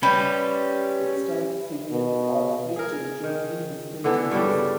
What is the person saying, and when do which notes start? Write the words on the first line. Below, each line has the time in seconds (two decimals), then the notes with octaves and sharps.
Extant simians are split into three distinct groups.
0.03 G3 C#4 B4 B5
1.92 B2
2.76 G#4 A#4
3.24 D#3
4.04 D3 E3 B3 A4
4.31 G2 C#3 G3 D4